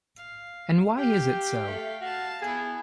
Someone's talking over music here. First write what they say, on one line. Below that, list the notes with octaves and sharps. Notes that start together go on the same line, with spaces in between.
And why is it so?
F5
G4 F5 G5
A3
F#4 F5 A5
B3 E4 G#4